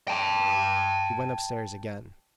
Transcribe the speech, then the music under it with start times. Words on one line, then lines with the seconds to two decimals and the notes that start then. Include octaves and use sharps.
He went up stairs again.
0.08 G5 A5